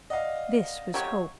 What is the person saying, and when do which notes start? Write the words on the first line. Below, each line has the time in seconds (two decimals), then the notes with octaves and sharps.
This was Hope.
0.10 D5 D#5 F5 F#5
0.94 F#3 G4 C#5